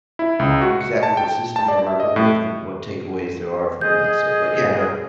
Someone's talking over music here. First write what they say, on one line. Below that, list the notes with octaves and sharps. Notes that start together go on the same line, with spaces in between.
exactly what system you're working with and what takeaways there are from that, so, but yeah no,
E4
C#2
F#4
C#7
A5
G5
A5
D5
E5
D#5
A2
G#4 D#5 G6